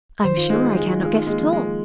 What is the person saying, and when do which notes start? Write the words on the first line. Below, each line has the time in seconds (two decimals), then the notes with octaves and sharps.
"I am sure I cannot guess at all."
0.24 D#3 C5
0.37 F4
0.50 G#3 D#4
0.63 F4
0.76 G#3 G#4
0.88 F4
1.01 G#3 F4
1.14 D#4
1.27 G#3 A#3
1.39 F3
1.52 G#3 F4
1.65 G#4